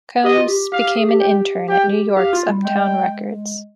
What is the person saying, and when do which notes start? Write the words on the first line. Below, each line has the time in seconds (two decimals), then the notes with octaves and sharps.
Combs became an intern at New York's Uptown Records.
0.24 G4 D#5
0.38 F4
0.48 G4
0.72 G4 F5
0.84 G4
0.97 G#4
1.09 G4
1.20 G4 G5
1.68 G4 G5
2.17 G4 F5
2.33 F4
2.49 G3
2.64 G#3 G5